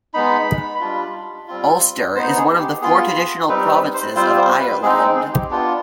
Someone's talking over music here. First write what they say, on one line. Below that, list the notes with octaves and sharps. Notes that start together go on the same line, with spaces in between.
Ulster is one of the four traditional provinces of Ireland.
G#3 B3 D#4 B5
G3 D4 F4
G3 C4 F4
B3 D#4 C5
G#4
G4
B3 F4 G#4
G3 C4 D#4 B4
B4
C5
G3 C4 F4 C5
C5
B4
G#3 C4 D#4 G#4
G#4
G4
B3 D4 F4 G4